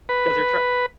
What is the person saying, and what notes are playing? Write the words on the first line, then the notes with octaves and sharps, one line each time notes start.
'Cause you're, tr
B4